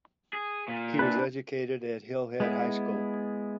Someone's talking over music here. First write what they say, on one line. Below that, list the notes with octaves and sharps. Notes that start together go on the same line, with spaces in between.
He was educated at Hillhead High School.
G#4
A#2
D4 E4 B4
G#3 B3 E4